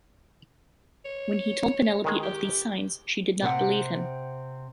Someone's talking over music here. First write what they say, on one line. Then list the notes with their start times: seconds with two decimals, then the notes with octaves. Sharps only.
When he told Penelope of these signs, she did not believe him.
1.05 C#5
2.04 D#3 G#3 G#4
2.23 G4
3.42 C3 C4 F#5